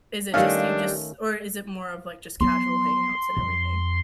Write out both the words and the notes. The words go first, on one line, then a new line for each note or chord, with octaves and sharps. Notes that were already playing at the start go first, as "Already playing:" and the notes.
is it just you just or is it more of, like, just casual hangouts and everything?
D#3 G3 A3 C#4 D4 G4 D#5 F5
F#3 B3 C6
F2